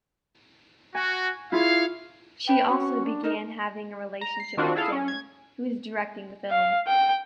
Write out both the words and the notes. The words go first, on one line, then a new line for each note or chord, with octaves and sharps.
She also began having a relationship with Jenny, who was directing the film.
F#4 G#5
E4 F4 G#4 C#5 F5
B4 G5
C#4 F#4
D4
D#4 A#4
A#5
C7
D#3 C4 D4 F4 F#4
E4 G#4 A4 F5
C#4
G#6
F5
G5